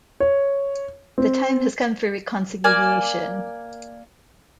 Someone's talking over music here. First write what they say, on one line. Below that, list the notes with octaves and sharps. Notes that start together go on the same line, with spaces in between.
The time has come for reconciliation!
C#5
C4
A#3 D5 G#5